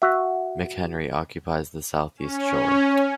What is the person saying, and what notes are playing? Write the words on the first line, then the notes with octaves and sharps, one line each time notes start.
McHenry occupies the southeast shore.
F#4 E5
C#4